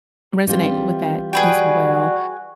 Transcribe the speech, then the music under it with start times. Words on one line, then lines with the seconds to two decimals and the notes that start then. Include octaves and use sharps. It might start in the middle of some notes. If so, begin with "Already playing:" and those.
resonate with that as well.
0.47 E3 G3 C4 F4
1.33 F#4 G#4 B4 D5 G5